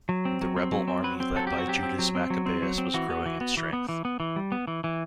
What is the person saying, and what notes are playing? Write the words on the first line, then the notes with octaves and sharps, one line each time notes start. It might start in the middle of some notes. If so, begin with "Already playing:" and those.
The rebel army led by Judas Maccabeus was growing in strength.
F#3
C4
F#3
C4
F#3
C4
F#3 B4
C4
F#3 A4
G4
C4
F#4
F#3 G4
C4
F#3
C4
F#3
C4
F#3
C4
E3 F#4
B3
E3
B3
E3
B3
E3
B3
E3
G3
B3
E3
E3